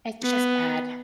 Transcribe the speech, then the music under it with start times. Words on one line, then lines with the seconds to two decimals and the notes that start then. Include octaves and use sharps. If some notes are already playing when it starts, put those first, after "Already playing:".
It's just bad.
0.23 B3